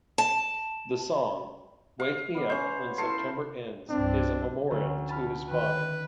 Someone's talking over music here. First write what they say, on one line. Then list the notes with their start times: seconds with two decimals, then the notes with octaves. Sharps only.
The song "Wake Me Up When September Ends" is a memorial to his father.
0.18 A5
2.00 F5
2.34 B3 D5
2.50 C#4 C5
2.98 E4 A4 A#4 C6
3.89 C2 G2 C4 D4
4.71 D2 C#4
5.09 A5 B5 F6
5.51 D#3 B4